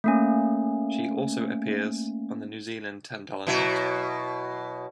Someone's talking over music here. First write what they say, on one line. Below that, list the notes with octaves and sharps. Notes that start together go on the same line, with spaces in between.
She also appears on the New Zealand ten-dollar note.
A3 A#3 C#4
B2 F#3 E4